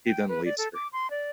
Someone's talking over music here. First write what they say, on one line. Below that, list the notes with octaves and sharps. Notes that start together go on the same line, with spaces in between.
He then leaves her.
G5
B4
D5
A4
D6
C6
D5